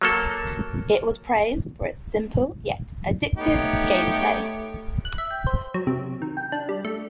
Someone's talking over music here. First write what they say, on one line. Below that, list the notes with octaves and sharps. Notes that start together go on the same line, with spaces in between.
It was praised for its simple yet addictive gameplay.
F#3 A#3 A4
A3 B3 D#4 G4 C#5
F#6
E5
G5
C5
F#3
C3
D#3
G5
D4
G3
A3